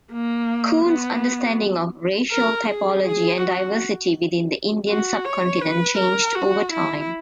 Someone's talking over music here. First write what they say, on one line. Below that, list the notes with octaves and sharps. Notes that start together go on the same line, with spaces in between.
Coon's understanding of racial typology and diversity within the Indian sub-continent changed over time.
A#3
B3
A#4
G#4
G#4
F#4
F#4
C#5
B4
A#4
F#4
E4